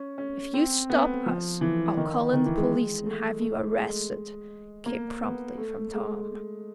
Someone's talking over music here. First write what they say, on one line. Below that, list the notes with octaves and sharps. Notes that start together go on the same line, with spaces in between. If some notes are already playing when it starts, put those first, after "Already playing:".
"If you stop us, I'll call in the police and have you arrested," came promptly from Tom.
Already playing: C#4
C#4
C4
B3
F3
E3
D#3
D#3
E3
G#3
A3
A3
G#3
A#3
B3
A3
G#3